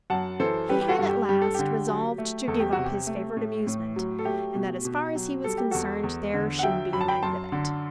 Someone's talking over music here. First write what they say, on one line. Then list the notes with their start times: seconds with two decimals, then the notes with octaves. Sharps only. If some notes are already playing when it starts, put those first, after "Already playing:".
He had at last resolved to give up his favourite amusement, and that as far as he was concerned there should be an end of it.
0.10 F#2 F#5 A5
0.40 E3 A4 C5
0.69 G3 G4 B4
0.81 G4
0.89 F#4 A4
0.99 G2
1.09 G4
1.29 G2 G4
1.42 A4
1.54 D3 G4
1.88 F#3
2.18 A3
2.47 E2 A4
2.60 G4
2.72 C3 F#4
2.85 G4
3.07 A3
3.37 A2
3.67 A2
3.96 F#3
4.19 A4
4.25 A3 G4
4.55 B2
4.85 B2
5.15 F#3
5.44 G3 A4
5.58 G4
5.71 E2 F#4 A4
6.03 E2
6.34 D3
6.59 F#5
6.63 F#3 E5 G5
6.93 F#2 B5
7.01 A5
7.08 G5 B5
7.23 F#2 A5 C6
7.52 D3